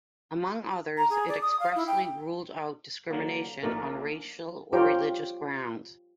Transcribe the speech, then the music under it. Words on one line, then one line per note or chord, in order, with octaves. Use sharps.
Among others, it expressly ruled out discrimination on racial or religious grounds.
A#5
G#4
D5
D#6
F5
E4
G5
D3 F#3 A#3
A#1 A3 A#3 A#4 D5
F4 G4 C5 C#5 G5 A#5